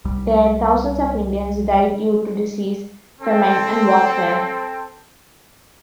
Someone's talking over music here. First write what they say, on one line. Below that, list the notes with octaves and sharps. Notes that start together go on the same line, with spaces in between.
There, thousands of Indians died due to disease, famine and warfare.
C2 G3
C4 A4